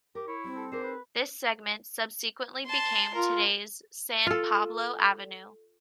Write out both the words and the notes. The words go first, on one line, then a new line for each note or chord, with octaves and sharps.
This segment subsequently became today's "San Pablo Avenue".
G4 A#4
E4 C#5
G3 C4
A4
D4 D#4 G#4 A#4 C5
B4
A5 C6
F4 A#4
F4 A4